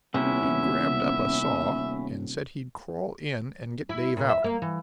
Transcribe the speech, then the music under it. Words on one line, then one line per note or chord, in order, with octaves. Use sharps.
He grabbed up a saw, and said he'd crawl in and get Dave out.
D#1 C3 B3 C#4 E4 E5
E4
A#2
E5
A#3
E3